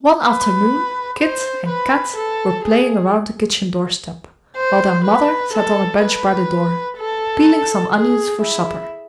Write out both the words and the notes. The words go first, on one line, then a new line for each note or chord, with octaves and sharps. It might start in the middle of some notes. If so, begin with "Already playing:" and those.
One afternoon Kit and Kat were playing around the kitchen doorstep, while their Mother sat on a bench by the door, peeling some onions for supper.
B4
C5
B4
A4
G#4
C5
B4
A4
B4
A4
G#4
E4